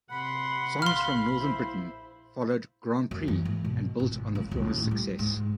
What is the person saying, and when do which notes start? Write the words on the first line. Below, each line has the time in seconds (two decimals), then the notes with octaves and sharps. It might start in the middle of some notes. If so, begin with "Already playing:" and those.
"Songs from Northern Britain" followed "Grand Prix" and built on the former's success.
0.11 C3 F#5 B5 C6
0.82 A#1 F5 C6 F6
1.37 E4 C5
3.11 F#2
3.28 E3
3.45 G#2
3.65 B2
4.00 G#1
4.35 C#2
4.51 D#1
4.78 A2
4.91 G3
5.19 G#2